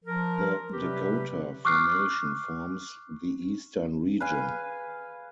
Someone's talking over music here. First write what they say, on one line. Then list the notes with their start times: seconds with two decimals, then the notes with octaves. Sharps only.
The Dakota Formation forms the eastern region.
0.05 F3 A#4
0.73 C3 F#3 G3 G4 B4
1.65 C#6 D6 F6 F#6 C7
4.20 B4 F5 G#5